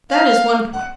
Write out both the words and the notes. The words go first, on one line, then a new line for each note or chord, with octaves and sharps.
That is one point.
F5
F#5